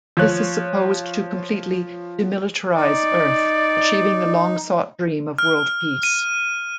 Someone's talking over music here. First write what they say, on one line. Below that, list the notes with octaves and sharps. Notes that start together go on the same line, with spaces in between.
This is supposed to completely demilitarize Earth, achieving the long-sought dream of world peace.
F3 C#5 F#6
D#4 D5
F6
D#7